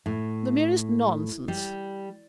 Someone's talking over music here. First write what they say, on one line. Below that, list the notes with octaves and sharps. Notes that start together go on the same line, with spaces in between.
'The merest nonsense.'
A2
G3